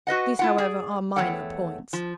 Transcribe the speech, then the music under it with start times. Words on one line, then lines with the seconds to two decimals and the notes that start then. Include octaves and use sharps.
These, however, are minor points.
0.07 F#4 B4 D#5 F#5
0.39 E4 F4 F#5
0.58 G#4 D5
1.16 E2 G3 A3 C#5 F#5 G5
1.93 F3